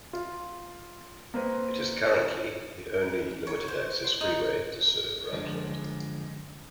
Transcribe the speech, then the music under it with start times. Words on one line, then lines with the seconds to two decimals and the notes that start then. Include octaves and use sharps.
It is currently the only limited-access freeway to serve Rutland.
0.13 F4
1.34 A#3 C4 B4
3.47 C#5
3.68 C5
4.04 C6
4.21 D#4
5.32 F#2 D3 F3 G#3